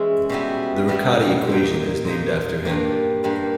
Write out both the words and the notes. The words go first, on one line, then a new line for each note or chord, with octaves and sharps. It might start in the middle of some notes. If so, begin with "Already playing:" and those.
The Riccati equation is named after him.
Already playing: E3 G#3 C#4 E4
B2 G3 B3 E4
B2 G3 B3 E4
A#2 A#3 D#4
A#2 A#3 D#4
G2 G3 A#3
G2 G3 A#3